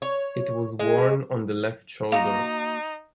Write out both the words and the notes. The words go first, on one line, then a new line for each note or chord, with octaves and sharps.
It is worn on the left shoulder.
C#5
G#3
A#3 D#4 F#4 F5 A#5